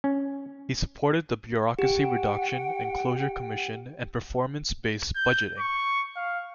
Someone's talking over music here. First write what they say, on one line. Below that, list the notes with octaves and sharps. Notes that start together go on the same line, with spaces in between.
He supported the Bureaucracy Reduction and Closure Commission and performance-based budgeting.
C#4
G4 F#5 G5
G6
C#6
F5